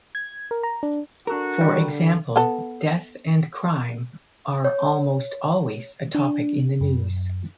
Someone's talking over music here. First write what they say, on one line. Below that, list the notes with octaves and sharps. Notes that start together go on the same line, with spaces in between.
For example: death and crime are almost always a topic in the news.
G#6
A#4
A#5
D4
D4 F#4 A4 A#4
D3 G3
B3 A4
C#5
D4
F#2